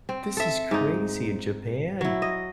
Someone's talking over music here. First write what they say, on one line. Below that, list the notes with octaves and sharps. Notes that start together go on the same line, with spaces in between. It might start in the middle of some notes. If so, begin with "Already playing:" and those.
This is crazy! In Japan?
C4
A4 E5
G#2 D#4
F#3 E4
D#5